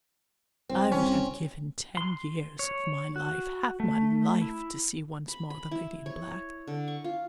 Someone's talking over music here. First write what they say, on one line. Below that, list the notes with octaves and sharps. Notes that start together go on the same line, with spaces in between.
I would have given ten years of my life--half my life--to see once more the lady in black!
C2 C4
C2 C#4
C6
C#5
F#4
A3
E4
B5
B5
E4
C#5
D3
C#6
F4